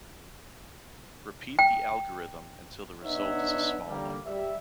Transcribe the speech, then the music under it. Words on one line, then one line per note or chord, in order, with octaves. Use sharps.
Repeat the algorithm until the result is a small number.
G5
B3 D4 D#4 C#5 E5 F#5
D3 G3 A#3
G3 E5